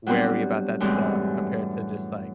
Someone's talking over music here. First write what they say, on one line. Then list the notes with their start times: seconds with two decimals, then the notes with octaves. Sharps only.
wary about that stuff compared to just, like
0.07 F#3 G3 B3 C4 D4
0.80 F#2 A2 E3 G3 G#3 C4